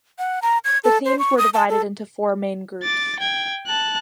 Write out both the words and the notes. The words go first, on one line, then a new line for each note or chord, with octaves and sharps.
The teams were divided into four main groups.
F#5
A#5
G#6
A4
C5
C#6
D#6
A5
A4
D6 A6
G5 G#6
A5 F#6